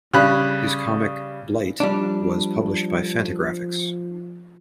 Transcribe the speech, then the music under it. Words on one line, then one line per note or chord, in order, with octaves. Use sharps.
His comic "Blite" was published by Fantagraphics.
C#3 G3 B5 F#6
F3 G3 D4